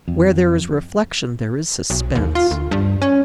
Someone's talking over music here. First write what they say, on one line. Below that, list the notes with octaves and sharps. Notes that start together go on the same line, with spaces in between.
Where there is reflection there is suspense.
F2
B1
D#2
F4
D2
G2
C#4